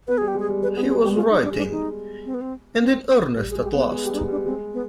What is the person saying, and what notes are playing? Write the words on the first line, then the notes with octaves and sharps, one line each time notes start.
He was writing — and in earnest at last.
B3 B4
G3 G#4
G4
G#3
G#4
G3
G#3 B4
B3 G#4
G3 G#4
G3 G4
G#3 F4
D#4
G3
D4
G#3
D4
G#3 D#4
C4
B3
C4
C4
G3 B4
G#4
G#3
G4
B3
B4
G#3 G#4
G4
G3
D4
D#4
G3
D4
G#3 C4
B3